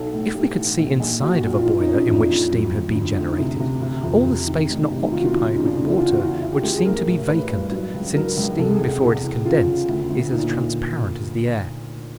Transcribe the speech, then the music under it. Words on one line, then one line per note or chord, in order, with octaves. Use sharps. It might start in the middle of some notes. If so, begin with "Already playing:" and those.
If we could see inside of a boiler in which steam had been generated, all the space not occupied with water would seem to be vacant, since steam before it is condensed is as transparent as the air.
Already playing: B1 A4
A2
A2 G4
E3
A#1
A#1
A#1 F#4
F#4
A#2 F#4
F4
F3 E4
D#4
F3 C#4
D4
F2 D#4
F2
F#3
D2
D3
D2
D#4
C3 E4
C3
C3
F2
C3
D#3
F1
C3
D#2 F4
F#4
F4
D#2
C#3 D#4
D4
C#3 D4
E4
E2 F4
F#4
E2 F4
E2 E4
G4
G#3 G4
G#4
A1 A#4
A1
A1 B4
G2
F#3
C#2
F#3 A#4
C#2
C3 A4
G#4
E2
E2
E2
C#3 F4
C#3
D2 E4
D2
A#2 D#4